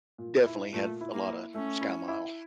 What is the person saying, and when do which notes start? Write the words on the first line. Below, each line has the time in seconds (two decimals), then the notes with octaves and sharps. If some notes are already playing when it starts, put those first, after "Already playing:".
definitely had f a lotta SkyMiles,
0.18 A#2
0.46 E4
0.73 A#2 A3
1.01 E4
1.14 A#3
1.27 E4
1.54 A3 C#4
1.81 E4
2.08 E4